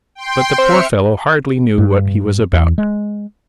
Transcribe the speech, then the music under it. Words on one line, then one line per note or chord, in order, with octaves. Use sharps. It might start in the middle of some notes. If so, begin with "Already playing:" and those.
But the poor fellow hardly knew what he was about.
G5 C6
C4 E5 F6 C#7
G2
E2
G#3